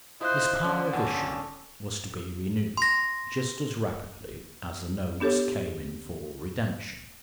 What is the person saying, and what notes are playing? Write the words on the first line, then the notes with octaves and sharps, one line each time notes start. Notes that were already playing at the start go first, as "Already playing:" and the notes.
This power of issue was to be renewed just as rapidly as the notes came in for redemption.
E4 F4 C5 D#5 D#6 F#6
D3 C#4
G1 D#2 C#4 D4 A4 F#5
C6 A#6
B3 D4 G4 A4 C#5